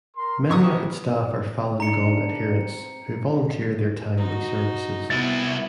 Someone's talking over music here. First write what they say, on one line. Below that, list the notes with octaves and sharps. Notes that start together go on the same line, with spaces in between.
Many of its staff are Falun Gong adherents who volunteer their time and services.
A#4 C6
A1 B3 G4 C#6 D#6
D4 A#5 C#7
C4
D#4 F#4
C2 B3 E4 A6